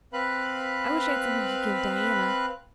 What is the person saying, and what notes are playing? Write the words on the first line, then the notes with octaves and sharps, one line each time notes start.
I wish I had something to give Diana.
C4 B4 F5 B5 F#6